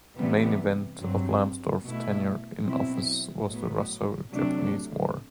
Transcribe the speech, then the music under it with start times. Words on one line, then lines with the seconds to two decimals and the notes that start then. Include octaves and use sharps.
The main event of Lamsdorf's tenure in office was the Russo-Japanese War.
0.17 C3 E3 G3 B3
1.00 G2 F#3 C4
1.84 B2 A3 E4
2.66 B2 F#3 C4 E4
3.48 A2 F#3 B3
4.31 C3 F#3 A3 D4